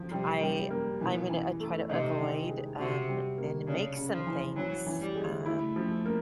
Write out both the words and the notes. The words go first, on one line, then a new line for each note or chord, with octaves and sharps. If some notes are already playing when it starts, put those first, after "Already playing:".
I I'm gonna I try to avoid, um, and make some things, um,
Already playing: F3
C3 G3
G3
A#3
B2 E3
E3
A3
C3 D#4
D#3
G#3
C3 F#4
G3
A#3
C#3 D4
C#3
F3
E3
E3 F#3
E3
G3
G#3
A3 E4
F3
A#3